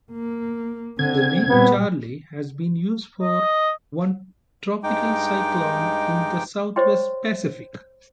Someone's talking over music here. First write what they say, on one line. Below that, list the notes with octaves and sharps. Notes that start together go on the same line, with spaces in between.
The name Charlie has been used for one tropical cyclone in the southwest Pacific.
A#3
D3 C4 G#6
A#2 G3 B3
D#5
G2 G#3 D#4 G5 D6
G4 C5 C#5 D#5 G5 C6